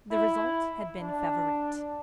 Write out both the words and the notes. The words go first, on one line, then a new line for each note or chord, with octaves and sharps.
The result had been Favourite.
E4
D4